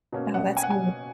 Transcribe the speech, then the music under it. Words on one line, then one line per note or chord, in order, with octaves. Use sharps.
Oh, that's neat
B2 A#3 C#4
F#5
G#5
F#5
G#5